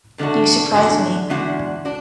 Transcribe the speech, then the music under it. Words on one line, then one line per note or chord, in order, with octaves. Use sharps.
You surprise me.
E2 D3 G#3 D4 F#4
E2 D3 G#3 D4 F#4
E2 D3 G#3 D4 F#4
D4 F#4